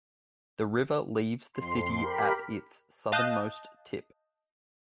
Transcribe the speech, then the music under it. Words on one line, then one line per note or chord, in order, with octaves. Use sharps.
The river leaves the city at its southernmost tip.
F2 C6
G4 A#4 B5
D#5 F5 A5 D#6 F#6 G6